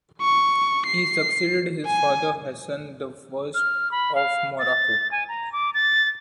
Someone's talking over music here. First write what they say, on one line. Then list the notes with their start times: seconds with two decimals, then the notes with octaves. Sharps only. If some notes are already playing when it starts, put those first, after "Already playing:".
He succeeded his father Hassan the First of Morocco.
0.21 C#6
0.87 C7
1.86 G#5
3.54 F6
3.91 B5
4.15 F5
4.59 A6
5.11 G#5
5.29 A#5
5.52 D6
5.74 A6